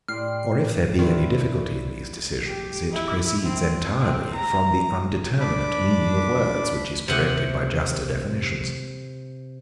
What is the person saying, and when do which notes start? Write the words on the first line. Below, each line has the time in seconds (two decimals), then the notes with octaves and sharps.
Or if there be any difficulty in these decisions, it proceeds entirely from the undeterminate meaning of words, which is corrected by juster definitions.
0.08 A2 G3 D5 C6 F6 C7
0.99 D#3 D4 E4 C5 C6
2.45 G4
2.92 E4
3.43 C4
4.00 C4
4.35 A#5
5.40 D4 B5 D6
7.08 C3 F#5